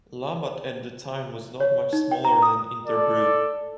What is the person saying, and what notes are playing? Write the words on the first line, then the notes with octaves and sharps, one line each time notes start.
Labatt, at the time, was not much smaller than Interbrew.
C#5
D#4
G5
A#5
D#6
A4 D5